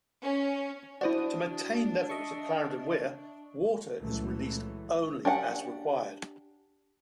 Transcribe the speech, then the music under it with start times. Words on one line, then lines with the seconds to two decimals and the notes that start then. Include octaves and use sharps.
To maintain levels at Clarendon Weir, water is released only as required.
0.22 C#4
1.01 D4 E4 F#4 C5 D5 D#6
2.10 D#5 E5 C#6
4.00 C#2 A#2 E3 F#3 A3
5.25 D4 G4 D5 F#5 G#5